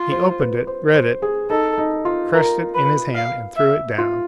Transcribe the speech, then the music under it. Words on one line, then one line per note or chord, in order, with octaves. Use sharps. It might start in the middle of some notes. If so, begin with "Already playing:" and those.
He opened it, read it, crushed it in his hand and threw it down.
Already playing: F4
C5
B4
C5
C5
G#4
D#4 A4
D#4
F4
A#4
B4
F5
E5
F4